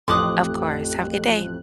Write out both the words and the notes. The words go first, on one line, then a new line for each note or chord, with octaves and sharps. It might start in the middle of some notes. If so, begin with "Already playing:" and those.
Of course. Have a good day.
A1 F2 A3 G4 C6 D6 D#6 F#6